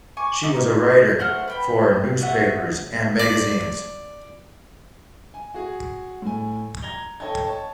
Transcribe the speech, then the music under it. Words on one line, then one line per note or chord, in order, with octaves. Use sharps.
She was a writer for newspapers and magazines.
G#5 C#6 D6
D#4
A3 C5 F#5 F6
B4 G5 B5
A3 D#5 E5 F#5
D5
G#5
F#4 G#4
A2 G#5
A#5 G#6 A#6 F7 G7
A4 C#5 D#5 G5 A5 G#6
C#5 A5